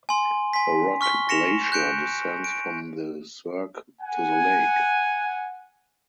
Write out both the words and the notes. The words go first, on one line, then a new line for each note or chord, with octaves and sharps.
A rock glacier descends from the cirque to the lake.
G#5 C6
G#5 C6 B6
C#6 F6 B6 G7
A#6 C#7 E7 F7
F#6 G6 C#7 D7
D7
F#5 G#5